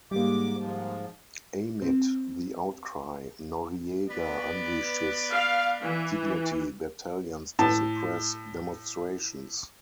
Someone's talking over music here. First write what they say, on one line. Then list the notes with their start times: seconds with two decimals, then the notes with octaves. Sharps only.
Amid the outcry, Noriega unleashed his Dignity Battalions to suppress demonstrations.
0.11 G#2 G3 A#3 D6
0.57 G#2 F3
1.82 C4
4.09 B3 B4 D5
5.31 F5
5.81 E3
7.59 A2 A5